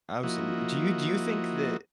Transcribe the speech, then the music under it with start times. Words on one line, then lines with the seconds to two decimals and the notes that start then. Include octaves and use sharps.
Absolutely. Do you do you think that
0.23 F3 A#3 E4 F#4 D#5